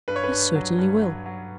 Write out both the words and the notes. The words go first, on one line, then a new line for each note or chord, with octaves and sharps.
"I certainly will."
G2 B4
C#5
B4
G2
F#3
G2
F#3
F#3